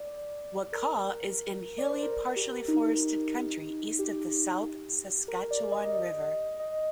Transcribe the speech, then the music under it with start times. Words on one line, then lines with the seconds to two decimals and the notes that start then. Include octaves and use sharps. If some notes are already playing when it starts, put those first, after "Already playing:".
Wakaw is in hilly partially forested country east of the South Saskatchewan River.
Already playing: D5
0.73 A#4
1.78 D5
1.90 C5
2.03 A#4
2.36 G4
2.68 D#4
3.99 G4
5.28 A#4
5.51 D5
5.72 D#5
5.94 D#5
6.60 D#5